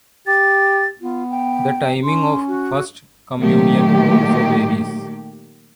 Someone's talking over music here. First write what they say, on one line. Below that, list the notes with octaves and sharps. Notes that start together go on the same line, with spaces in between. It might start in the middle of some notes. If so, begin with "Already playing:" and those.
The timing of First Communion also varies.
G4 A6
B3 F4
G5
C#4 C6
F#4
A#2 D#3 F#3 A3 A#3 G4